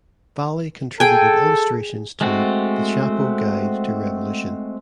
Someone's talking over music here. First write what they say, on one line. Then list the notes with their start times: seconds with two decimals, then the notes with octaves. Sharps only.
Valley contributed illustrations to "The Chapo Guide to Revolution".
1.00 G#4 A4 G5 G#5
2.21 G#3 A3 C4 F#4